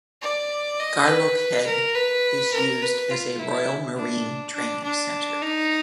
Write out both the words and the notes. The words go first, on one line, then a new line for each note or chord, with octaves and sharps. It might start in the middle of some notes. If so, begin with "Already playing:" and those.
Garelochhead is used as a Royal Marine training centre.
D5
D#5
B4
A#4
B4
A#4
B4
F4
E4
D4
D4
D4
D#4